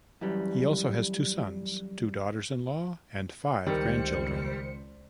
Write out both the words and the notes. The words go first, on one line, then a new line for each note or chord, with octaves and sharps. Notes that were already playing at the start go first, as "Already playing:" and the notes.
He also has two sons, two daughters-in-law, and five grandchildren.
F#2 E3 G3
C#2 D#3 G3 C5 C#7